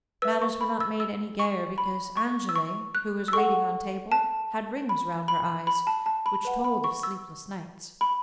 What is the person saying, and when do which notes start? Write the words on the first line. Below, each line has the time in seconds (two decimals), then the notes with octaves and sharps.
Matters were not made any gayer because Angele, who was waiting on table, had rings round her eyes, which told of sleepless nights.
0.22 B4 E5 E6
0.42 C#6
0.61 B5
0.80 E6
1.00 E6
1.39 C#6
1.78 B5
2.17 C#6
2.49 E6
2.56 C#6
2.95 F#6
3.28 E6
3.33 A4 F#5 C#6
4.12 A5
4.89 B5
5.28 B5
5.67 B5
5.87 A5
6.06 A5
6.26 B5
6.45 B4 F#5
6.64 B5
6.84 C#6
7.03 E6
8.01 B5